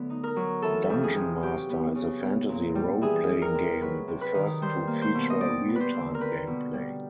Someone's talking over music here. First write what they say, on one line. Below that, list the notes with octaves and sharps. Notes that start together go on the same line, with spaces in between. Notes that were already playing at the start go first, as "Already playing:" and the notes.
"Dungeon Master" is a fantasy role-playing game, the first to feature real-time gameplay.
Already playing: D3 F#3 A3 B3
D#4
A#4
F#3
E3 A4
F2
G#4
C3
F#3 G4
B3
C#3
B3
A#2
G3
E3 G#4
G3
A#4
C3
F#3 B4
C3
B4
D#3
G3 C5
A#3
C5
B2
D#5
G3 D5
B3
B4 C5
D3
A#4
C4 B4
B2
G3